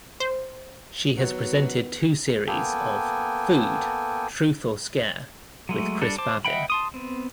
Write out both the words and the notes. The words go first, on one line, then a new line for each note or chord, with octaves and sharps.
She has presented two series of "Food: Truth or Scare" with Chris Bavin.
C5
D#3 F#3 B3 B4
A#3 B3 A4 G5 G#5
F#3 G#3 A3
G3 D4 A4
C5 A5 D6
D#5 E5 F#5 G5 B5
A5 C6 D#6
B3 C4